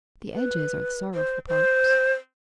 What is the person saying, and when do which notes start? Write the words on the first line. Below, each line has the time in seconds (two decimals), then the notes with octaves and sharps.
'The edges are the sorrowful parts.'
0.33 B4
1.15 C5
1.48 C5